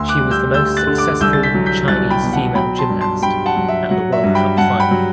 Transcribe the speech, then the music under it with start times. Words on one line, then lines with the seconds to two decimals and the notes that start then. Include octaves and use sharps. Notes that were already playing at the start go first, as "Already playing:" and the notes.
She was the most successful Chinese female gymnast at the World Cup Final.
Already playing: D2 C6 E6
0.09 D6 F#6
0.21 G3
0.31 E6 G6
0.54 D2 E6 G6
0.77 F#6 A6
0.87 D3
0.98 D6 F#6
1.21 C2 E6 G6
1.33 A6
1.43 G6 B6
1.54 F#3
1.66 G6 B6
1.88 C2 F#6 A6
2.10 G5 B5
2.23 B2
2.33 F#5 A5
2.55 F#3 G5 B5
2.78 A5 C6
2.89 G2
3.01 A5 C6
3.22 G2 G5 B5
3.46 F#5 A5
3.56 F#3
3.68 E5
3.90 F#3 F#5
4.12 E5
4.24 G2
4.35 G5 B5
4.57 G2 F#5 A5
4.80 G5 B5
4.91 F#3